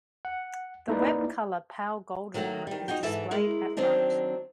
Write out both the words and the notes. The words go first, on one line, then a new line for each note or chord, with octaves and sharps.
The web color pale goldenrod is displayed at right.
F#5
A#3 D#4 E4 B4 D5
D#3 F#3 A3 A#3 F#4
D#3 G3
D#4 F4 F#4 G5
G#2 E3 A4 E5 A5
G#3 E4 A#4
D#3 F#3 C4 D4 D#4